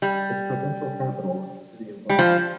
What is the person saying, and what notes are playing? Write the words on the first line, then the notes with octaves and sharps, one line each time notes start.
Its provincial capital was the city of Bologna.
G3
G3
F3